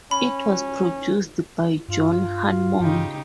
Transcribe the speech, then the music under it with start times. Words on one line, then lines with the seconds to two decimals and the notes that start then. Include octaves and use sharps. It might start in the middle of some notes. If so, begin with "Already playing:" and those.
It was produced by John Hammond.
0.11 C#4 B5
1.88 G2 F4
2.80 G2 C#3 D#4 G4